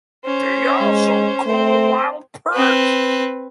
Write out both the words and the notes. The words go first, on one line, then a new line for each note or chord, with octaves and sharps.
They also call while perched.
C#4 C5
G#3
A3 C4 C5
C4 B4